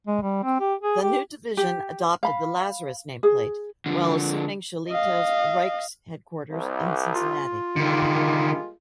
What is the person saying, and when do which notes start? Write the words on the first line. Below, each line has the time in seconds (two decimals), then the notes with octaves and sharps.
The new division adopted the Lazarus nameplate, while assuming Shillito's Rike's headquarters in Cincinnati.
0.07 G#3
0.22 G3
0.43 C4
0.60 G4
0.81 G#4
1.02 G4
1.57 G4
2.23 F5 B5
3.23 G#4
3.86 D3 F3
4.89 D#5 F5
6.51 C2
7.15 F4
7.76 D3 D#3 G3 G#3 A#3